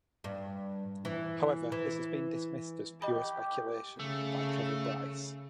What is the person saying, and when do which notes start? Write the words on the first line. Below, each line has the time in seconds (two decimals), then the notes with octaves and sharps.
However, this has been dismissed as "pure speculation" by Trevor Bryce.
0.24 G2
1.05 E3
1.72 E3
3.02 G4 D#5 B5
3.99 C#3 A3